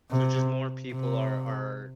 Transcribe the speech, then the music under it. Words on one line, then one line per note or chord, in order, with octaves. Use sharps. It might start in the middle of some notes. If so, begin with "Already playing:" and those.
So just more people are are
C3
C3